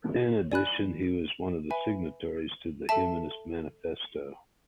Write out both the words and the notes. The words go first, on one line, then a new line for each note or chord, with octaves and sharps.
In addition he was one of the signatories to the Humanist Manifesto.
D5 G#5 B5 F#6
B4 E5 G#5 B5
A4 E5 A5